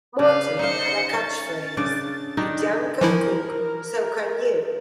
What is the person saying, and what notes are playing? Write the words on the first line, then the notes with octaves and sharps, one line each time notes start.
Martin had a catchphrase, If Yan can cook, so can you!
C#3 B4 F5
D#4 C5 F5 C#7
C#4 A6
C#3 D4 D5
D#3 D4 D#4
E3 F3 E4 A#4